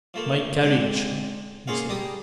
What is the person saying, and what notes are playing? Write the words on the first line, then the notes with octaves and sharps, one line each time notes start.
"My carriage!" he said.
F3 A3 A#3
G#2 C4 D4
A#3 C#4 F4 G#4 F5
G3 G4 A#5 D#6